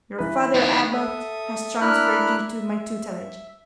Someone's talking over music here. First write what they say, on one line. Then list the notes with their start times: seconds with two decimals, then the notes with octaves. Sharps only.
Your father-abbot has transferred you to my tutelage.
0.19 E3 B4
0.54 D#4 G4
0.93 A4 E5 D#6
1.81 D4 E4 A#4 B5 F6 F#6
2.37 E5